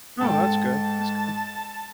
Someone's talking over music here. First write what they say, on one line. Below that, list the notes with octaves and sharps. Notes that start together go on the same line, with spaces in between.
Oh, that's good, that's good.
G#2 A4 G5 A5